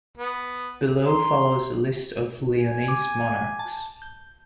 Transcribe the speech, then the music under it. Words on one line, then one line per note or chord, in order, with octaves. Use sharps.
Below follows a list of Leonese monarchs.
B3
A#5 C6
G#5
D6
A5
G6